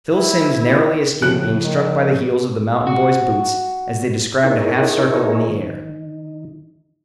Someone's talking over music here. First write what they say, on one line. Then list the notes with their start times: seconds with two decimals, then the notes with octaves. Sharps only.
Phil Simms narrowly escaped being struck by the heels of the mountain boy's boots as they described a half circle in the air.
0.10 E4
1.22 A2 C#3 F3 F#6
1.64 D#3
2.87 F#4
4.44 D#4 E4 G#4 A#4 C#5
5.49 D#3